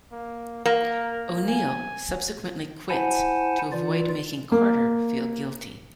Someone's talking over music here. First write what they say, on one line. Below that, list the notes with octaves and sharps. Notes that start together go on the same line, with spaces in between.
O'Neill subsequently "quits" to avoid making Carter feel guilty.
A#3
A#3 A#4
G#5
E4 C5 F#5 G#5 A5
E3 F4 D5
A#3